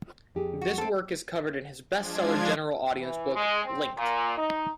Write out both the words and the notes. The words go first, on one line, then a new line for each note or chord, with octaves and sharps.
This work is covered in his bestseller general audience book, Linked.
F2 G4 G#4
F#4
C4 A4
F3 G#3 D4 F4 G#6
E3
G#3
C4
A#2
D#4